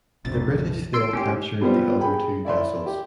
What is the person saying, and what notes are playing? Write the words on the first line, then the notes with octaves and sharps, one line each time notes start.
The British then captured the other two vessels.
A#1 F2 C3 A6
C6 E6 D7
A2 C#4 G4
G3 B3 C4 F4 C5
G#4 G5 B5
E4 D5 E5 C6
G4